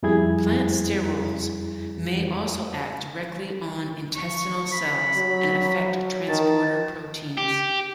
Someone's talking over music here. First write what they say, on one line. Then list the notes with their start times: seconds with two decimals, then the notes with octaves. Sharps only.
Plant sterols may also act directly on intestinal cells and affect transporter proteins.
0.03 F2 G3 E4 G#4 G#6
4.15 C#6
4.72 B5
5.16 F#3
6.29 D#3 A5
7.38 G4